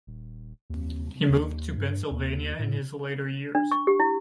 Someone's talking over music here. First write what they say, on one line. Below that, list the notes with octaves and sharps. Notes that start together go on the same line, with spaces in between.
He moved to Pennsylvania in his later years.
D#1
D#2
D#2
G2
D#2
A2
D4
C#6
G4
E4